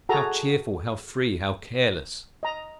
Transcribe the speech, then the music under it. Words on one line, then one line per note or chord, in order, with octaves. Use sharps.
How cheerful, how free, how careless!
F#4 G#4 A4 A#5
D#5 A#5